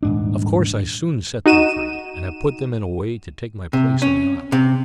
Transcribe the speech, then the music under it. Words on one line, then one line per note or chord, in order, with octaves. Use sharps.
Of course I soon set them free, and I put them in a way to take my place on the isle.
D#1 G#2 D4
D#4 F#4 D#7 E7
C3
C#4
C3